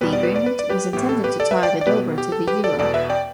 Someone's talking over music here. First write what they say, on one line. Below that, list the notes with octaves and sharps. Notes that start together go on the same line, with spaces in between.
The agreement was intended to tie the dobra to the euro.
E2 B2 G3 B3 B4
D5
B4
D5
B4
D5
G4 B4
A2 E3 B3 G4
A4
G4 B4
A4 D5
B4 E5
D5 G5
D5
B2 B3 G4 B4
G4
A4
G4 B4
A4 D5
E2 B2 B3 A4 D5
B4 E5
D5 G5